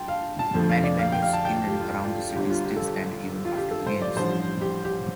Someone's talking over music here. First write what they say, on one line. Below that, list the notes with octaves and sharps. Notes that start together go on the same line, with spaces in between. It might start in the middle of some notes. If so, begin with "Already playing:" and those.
Many venues in and around the city still stand even after the games.
Already playing: G2 G5 A5 C6
F5
A5
F2 D3 F3 A3
F5
D5
F5
G5
F5
A5
G5
G4
F4
F4
G1 G2 D3 G3 G4
F4
G4
A4
G4
F4
G4
A4
C5
D5
A1 G2 F3 C5
G4
G4